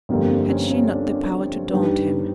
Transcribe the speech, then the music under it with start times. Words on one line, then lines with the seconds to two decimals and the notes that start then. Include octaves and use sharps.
Had she not the power to daunt him?
0.09 G1 F2 D3 G3 A#3 C4
0.30 C4
0.45 C4
0.50 C#4
0.70 C#4
0.90 D4
1.70 G2 D#3 G3 B3 D#4